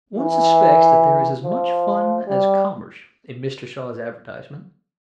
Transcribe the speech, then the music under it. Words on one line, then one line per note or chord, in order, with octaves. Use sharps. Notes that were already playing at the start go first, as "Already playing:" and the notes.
One suspects that there is as much fun as commerce in Mr. Shaw's advertisement.
E3
F3
G3